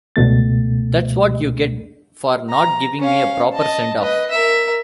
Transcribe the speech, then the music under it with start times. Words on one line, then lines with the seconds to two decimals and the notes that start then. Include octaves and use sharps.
That's what you get for not giving me a proper send off.
0.16 C#2 B2 A3 A6
2.50 A#5
2.99 C#4 F5
3.54 D#5 A5
4.00 B4 D#5
4.31 A#4 E5